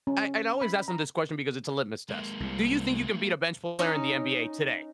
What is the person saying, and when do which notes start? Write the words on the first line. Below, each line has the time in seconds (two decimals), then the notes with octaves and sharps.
I I'd always ask them this question because it's a litmus test, "Do you think you can beat a bench player in the NBA today?"
0.07 C#4
0.61 B5
0.88 A#5
2.09 G#3 A#3
2.40 C2 C3
3.79 C#4 D#4